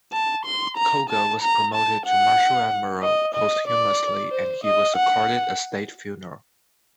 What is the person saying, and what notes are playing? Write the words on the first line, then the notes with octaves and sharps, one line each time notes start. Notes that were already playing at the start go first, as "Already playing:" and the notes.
Koga was promoted to Marshal Admiral posthumously and he was accorded a state funeral.
A5
C6
A#5
A5
A#5
A5
F#5
D#5
D#5
D5
C5
D#5
F#5